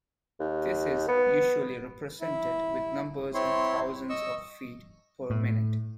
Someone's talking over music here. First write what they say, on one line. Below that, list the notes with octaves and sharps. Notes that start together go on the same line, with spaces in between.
This is usually represented with numbers in thousands of feet per minute.
D#2
B3
E4
C4 E4 C#5 C6
D#5 C#6 E6
A2